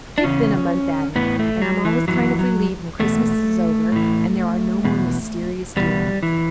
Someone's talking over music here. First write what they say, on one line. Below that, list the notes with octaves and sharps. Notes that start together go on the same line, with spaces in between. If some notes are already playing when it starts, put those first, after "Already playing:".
They've been a month at it, and I'm always kind of relieved when Christmas is over and there are no more mysterious doings.
D4
E2 C#3 C#4
A2 E3 B3
A3
F#3
E3
F#2 E3 F#3
F#3
E2 B2 A3
A2 E3
E2 B2
E2 B2 G3
E3